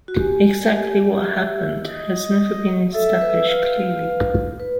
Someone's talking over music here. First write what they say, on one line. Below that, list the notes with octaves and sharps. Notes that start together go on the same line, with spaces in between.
Exactly what happened has never been established clearly.
F#4
G4 G#5
E5
D#5
A4 E5
B4
F5
B4